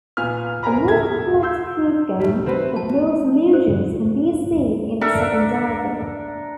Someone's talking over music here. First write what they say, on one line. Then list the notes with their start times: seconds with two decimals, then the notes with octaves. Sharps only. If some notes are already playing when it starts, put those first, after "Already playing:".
A more complex proofgame, with more solutions, can be seen in the second diagram.
0.17 A#2 B3 G#5 F6
0.63 A#4 C5 G#5 A#5 B5
0.88 E5 G#6
1.42 C6 E6 G6
2.20 G3 A3
2.46 C4 F#4 B4
2.76 F3 A3 B3 A5
3.53 C5
5.01 D4 A4 A#4 E5